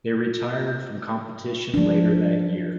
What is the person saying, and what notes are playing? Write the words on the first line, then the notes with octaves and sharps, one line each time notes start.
They retired from competition later that year.
F3 D4